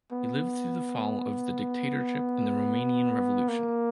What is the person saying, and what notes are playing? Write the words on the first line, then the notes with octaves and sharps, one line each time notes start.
He lived through the fall of the dictatorship and the Romanian Revolution.
B3
A#3